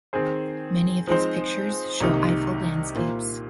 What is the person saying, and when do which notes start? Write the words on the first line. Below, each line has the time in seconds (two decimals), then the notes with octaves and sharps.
Many of his pictures show Eifel landscapes.
0.13 D#3 C4 G#4 C5
1.07 F3 G#3 C4 D#4 C5
2.01 C2 C3 D#3 A#3 D#4
2.95 A#2 A#3 F4 C5